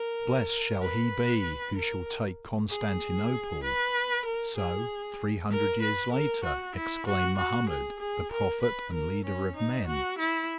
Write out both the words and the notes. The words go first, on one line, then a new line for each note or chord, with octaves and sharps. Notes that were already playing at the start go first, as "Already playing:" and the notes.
"Blessed shall he be who shall take Constantinople!" So, three hundred years later, exclaimed Mohammed, the prophet and leader of men.
Already playing: A#4
B4
A#4
G#4
B4
A#4
G#4
A#4
B4
A#4
F#4
E4
F#4
F#4
G#4
G#4
A#4
B4
A#4
C#4
D#4
F#4
E4